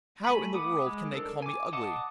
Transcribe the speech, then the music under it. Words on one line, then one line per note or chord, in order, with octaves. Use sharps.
How in the world can they call me ugly?
A3 G#5 B5
F#5 B5 D6 D#6
G#3
D4 A4 A#4
G#5 D6
D#5 F#5 A5 D6 D#6